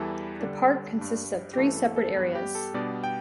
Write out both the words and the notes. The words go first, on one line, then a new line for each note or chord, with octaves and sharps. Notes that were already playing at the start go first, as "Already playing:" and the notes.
The Park consists of three separate areas.
Already playing: E2 E3 G3 E4 A4
D3 G3 D4
G2 G3 D4
G4
G2 E3 A3 A4
A4
A4
G2 G3 B3 B4
G4
A4
B2 G3 B3 D4 D5
G5